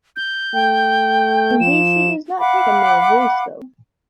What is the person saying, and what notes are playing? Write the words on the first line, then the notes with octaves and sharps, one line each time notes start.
In these she does not take a male voice though.
G6
A3 G5
F3 E7
F5 F#5 B5 D6